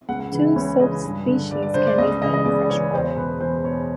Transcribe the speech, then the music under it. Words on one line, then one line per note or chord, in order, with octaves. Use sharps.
Two subspecies can be found in freshwater.
C#2 F#5
F#5
C#3 E3
E5
C#2 C#5
C#3 E3 D#5
G2
D3
G2 D5
D5
D3 C5
D5
C#2 D#5
C#3 E3 D#5
D#5
C#2 D5
C#3 E3 C#5
E2 C5
B2 B4
E2 C5
B2 C#5